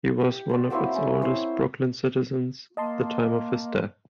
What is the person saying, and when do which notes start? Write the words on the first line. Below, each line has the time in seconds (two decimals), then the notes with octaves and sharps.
He was one of its oldest Brooklyn citizens at the time of his death.
0.21 G4
0.49 C5 D5
0.70 F#3 A#3 C4 E4
0.94 C#4
1.22 C4 C5 C#5
2.77 A#3 D#5 A5 C6